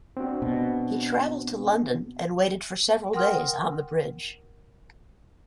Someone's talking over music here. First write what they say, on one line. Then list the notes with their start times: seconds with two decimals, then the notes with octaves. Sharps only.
He travelled to London, and waited for several days on the bridge.
0.17 C4 D4 F#4
0.42 B2
3.13 A#4 F#5 G5 C6 D#6 F6